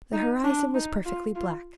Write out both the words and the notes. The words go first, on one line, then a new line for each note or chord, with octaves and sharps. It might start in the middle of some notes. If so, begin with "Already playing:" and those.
The horizon was perfectly black.
D#4
D4
D#4
F4
F4